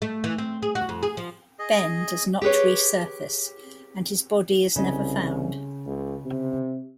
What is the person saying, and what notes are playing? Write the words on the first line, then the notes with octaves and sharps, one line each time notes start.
Ben does not resurface and his body is never found.
A3
E3
C4
G#4
F#4
F2
G#4
F3
G#4 D#5
G4 G#4 B4 C#5
C2 C#3 D#5
C#2
C3